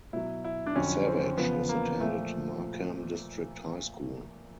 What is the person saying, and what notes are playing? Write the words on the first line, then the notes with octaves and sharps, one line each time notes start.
Savage is attended Markham District High School.
B2 F#3 E4
E4
D4
F2 D3 F#3 C#4
C4
E2 C#3 F3 B3
A#3
A#2 F3 A3